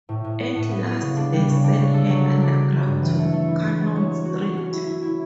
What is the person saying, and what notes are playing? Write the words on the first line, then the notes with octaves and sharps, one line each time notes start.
At last they sent her underground to Cannon Street.
A2
A2
B3
A2
B3
B3
C#3
D4
G3
C#3
D4
C#3
A4
F#3
A4
D4
D4
F#3
G2
E3
A3
A3
E4
E4
F#3
C#5
C#5
F#4
F#4
C#4
E4
E4
E4